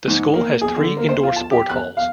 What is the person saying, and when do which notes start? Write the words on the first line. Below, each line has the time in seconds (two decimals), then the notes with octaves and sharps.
The school has three indoor sport halls.
0.08 G#2
0.34 A#3
0.61 G#4
0.76 D3
0.97 A#3
1.09 C5
1.23 F4
1.36 A5
1.51 G4
1.70 F#6
1.97 F5